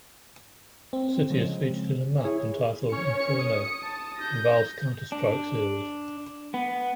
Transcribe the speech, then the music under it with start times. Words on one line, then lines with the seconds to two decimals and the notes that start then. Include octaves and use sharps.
The city is featured in a map entitled "Inferno" in Valve's Counter-Strike series.
0.93 C4
1.30 C#3 F3 G#3
2.25 E4 G#4 C#5
2.92 C#4 C#5 C#6 C#7
3.39 D#6
3.84 A5
4.18 G6 A#6
5.12 D4
6.54 B3